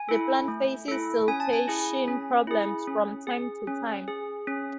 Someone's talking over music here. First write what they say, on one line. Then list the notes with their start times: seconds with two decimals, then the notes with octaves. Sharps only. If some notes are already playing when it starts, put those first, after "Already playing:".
The plant faces siltation problems from time to time.
Already playing: G#5
0.09 E4 A4
0.48 A3
0.88 E4 A4
1.28 C#4 G#5
1.40 A5
1.53 G#5
1.68 E4 G#4
2.08 C#4
2.47 E4 G#4
2.87 C#4
3.27 G#4
3.67 C#4
4.08 G#4
4.47 C#4